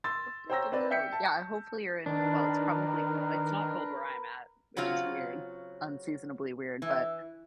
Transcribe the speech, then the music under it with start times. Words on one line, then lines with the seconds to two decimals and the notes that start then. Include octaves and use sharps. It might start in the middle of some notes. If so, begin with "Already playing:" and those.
We're good to go. Yeah, hopefully, you're in well, it's probably col it's not cold where I'm at, which is weird, unseasonably weird, but,
0.04 C6 E6 A6
0.50 C5 C#5 G5 A#5 E6 A#6
0.72 C4 B4 D5
0.91 E5 G5 G6 B6 C#7
1.13 A5
2.06 D#3 D4 A#4 B4
4.77 C#3 F#3 C4 F4 F5
6.82 E3